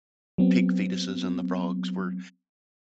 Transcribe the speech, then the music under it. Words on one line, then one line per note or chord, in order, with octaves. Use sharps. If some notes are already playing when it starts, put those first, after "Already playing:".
p pig fetuses and the frogs were
F#3 B3 C4